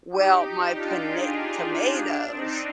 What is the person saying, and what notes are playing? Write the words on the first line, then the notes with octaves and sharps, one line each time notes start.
Well, my pona tomatoes
D#4 G4
D#4 G4
D4 F4
F4 G#4
D4
C4 D#4